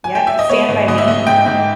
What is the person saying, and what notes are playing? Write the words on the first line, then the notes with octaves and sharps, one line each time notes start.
Yep, Stand By Me,
G#5
G5
E5
D#5
B3 C#5
G#2
G#2 D#5
E5
G#2 D#5
G#2 G5
G#2